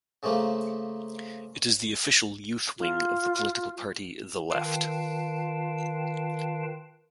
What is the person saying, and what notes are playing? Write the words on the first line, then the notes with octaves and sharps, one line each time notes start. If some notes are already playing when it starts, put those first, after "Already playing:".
It is the official youth wing of the political party The Left.
C#3 F3 A3 A#3
F4
D#3 F4 B4 F5 G5 A5